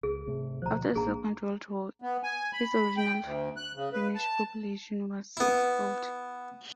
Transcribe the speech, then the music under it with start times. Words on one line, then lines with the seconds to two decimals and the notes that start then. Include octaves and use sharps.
After the Second World War, its original Finnish population was expelled.
0.03 C#2 G#4
0.26 G#1 C3 A3
0.62 D2 B2 F3 C5 A#5
0.95 A1 A#3 D4 G#4 A#5
2.02 B3
2.24 G#5
2.53 B5
2.97 G5
3.22 D2
3.57 F#6
3.76 C#3
3.93 B4
4.15 A5
5.37 B3 E4